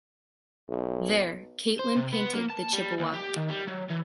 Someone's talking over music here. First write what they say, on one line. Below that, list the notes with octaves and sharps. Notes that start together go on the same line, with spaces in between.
There, Catlin painted the Chippewa.
B1
C5
C3
B3
A#3
A5
G3
D#2
G4
D#3
G3
F#3
E3